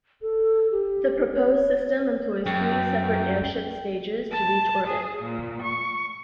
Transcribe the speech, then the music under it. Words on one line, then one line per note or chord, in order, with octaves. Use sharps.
The proposed system employs three separate airship stages to reach orbit.
A4
G4
C#5
F#2 G5
A5
G#4
A#2
C#6